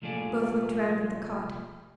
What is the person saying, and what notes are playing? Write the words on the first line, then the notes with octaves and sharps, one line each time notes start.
Both looked round at the cot.
C2 A#2 F3 A3 G#4 D5